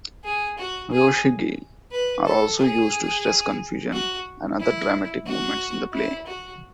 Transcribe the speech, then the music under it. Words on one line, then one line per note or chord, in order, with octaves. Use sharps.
Hyoshigi are also used to stress confusion and other dramatic moments in the play.
G#4
F#4
G#4
B4
A4
G#4
F#4
E4
F#4
E4
F#4